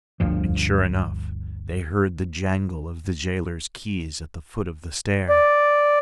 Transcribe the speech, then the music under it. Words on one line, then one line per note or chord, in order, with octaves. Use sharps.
And sure enough, they heard the jangle of the jailer's keys at the foot of the stair.
G1 D2 G2 F3
D5